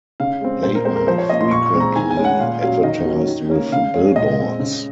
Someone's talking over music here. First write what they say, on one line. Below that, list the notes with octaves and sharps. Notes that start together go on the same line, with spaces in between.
They are frequently advertised with billboards.
C#3 F5
G#3 C4
A#2 C5
A#4
G#3 C4 C5
A#4
F3 C5
C#5
A#3 C#4 D#5
C6
A#2 C#6
C#6
G#3 C4
A#5
D#3 G#5
G#5
G#3 C#4
F#5
A#2 F5
F#3 C#4 F5
D#3 D#5
F#3 C#4
D#3
A#3 C#4
C#3 F5
G#3 C#4
A#2 D#5
G#3 C4
C#3